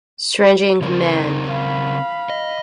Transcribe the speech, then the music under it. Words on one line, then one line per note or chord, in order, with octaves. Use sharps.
Strange in command.
C#3 C4 A#4
D#4
F5 B5
D#5